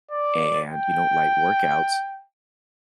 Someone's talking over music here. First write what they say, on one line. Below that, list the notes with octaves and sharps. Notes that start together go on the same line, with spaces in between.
and, you know, light workouts
D5
G5